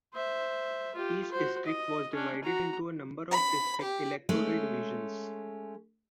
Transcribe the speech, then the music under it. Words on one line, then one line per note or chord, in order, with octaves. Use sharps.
Each district was divided into a number of District Electoral Divisions.
C5 E5
F4 G4
F#4 C5
D#5
C#4 D4
F#4 A#5
B5
G4
G#3 A3 C#4